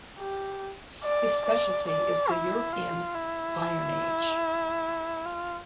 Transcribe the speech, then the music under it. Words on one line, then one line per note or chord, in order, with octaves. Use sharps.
His speciality is the European Iron Age.
G4
D5
D5
D5
E4
F4
E4
F4